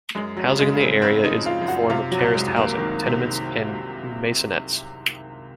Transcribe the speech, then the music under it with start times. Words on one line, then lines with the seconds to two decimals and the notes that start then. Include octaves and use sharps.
Housing in the area is in the form of terraced housing, tenements and maisonettes.
0.15 F#2 G#3
0.37 F#3
0.44 C#3
0.59 G#3
0.74 C#3
0.80 C4
1.02 C#3 C4
1.24 D#4
1.32 F3
1.46 F4
1.61 F#2
1.68 F#4
1.90 C3 F4
2.12 F#3
2.19 C2
2.34 G#3
2.48 C2
2.56 A#3
2.78 D#3
3.06 C3